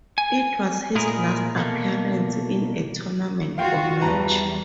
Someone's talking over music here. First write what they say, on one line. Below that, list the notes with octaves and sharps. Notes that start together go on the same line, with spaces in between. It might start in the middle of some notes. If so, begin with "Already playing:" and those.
It was his last appearance in a tournament or match.
G#5
A#2 G#3 E4 G#4 A#4
B2 A3 A#3
F4 F#4 F5 G5
E2 G3 B4 A5 A#5